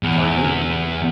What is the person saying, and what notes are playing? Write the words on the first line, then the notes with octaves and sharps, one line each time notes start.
"Are you?"
E2